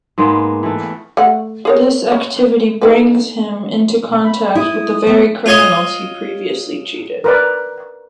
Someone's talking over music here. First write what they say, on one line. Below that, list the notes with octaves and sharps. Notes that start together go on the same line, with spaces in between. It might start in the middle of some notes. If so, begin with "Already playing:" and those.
This activity brings him into contact with the very criminals he previously cheated.
G#2 G#3 A#3 B3
E3 A3
A3 F#5
G#4 A#4 C#5
C#4
D#4 A4 B4
B5
E4 D#6
B3
F4 C#5 D#5
A#4 B4 D5